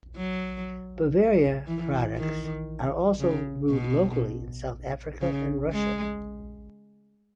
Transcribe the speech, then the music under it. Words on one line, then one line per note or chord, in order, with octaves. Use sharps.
Bavaria products are also brewed locally in South Africa and Russia.
F#3
E3
D#3
C#3
B2
C#3
G#3